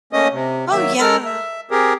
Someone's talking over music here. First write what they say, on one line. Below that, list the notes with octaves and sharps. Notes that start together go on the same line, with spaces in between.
Oh, yeah.
A3 A#3 C#4 D#5 D#6
C3
D#3 F#3 A#3 E5
G#3 A4 A#4 F6
E5
C4 G4 G#4 A#4